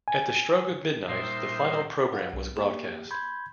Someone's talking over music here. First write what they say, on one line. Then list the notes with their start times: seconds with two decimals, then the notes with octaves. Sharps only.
At the stroke of midnight, the final program was broadcast.
0.08 G#5
1.09 A#2 G3 D#4 C5 E5 C6
2.13 B4 F5 F#5
2.33 B1
2.56 A#3 G4 G#4
3.11 B5 C6 G6 G#6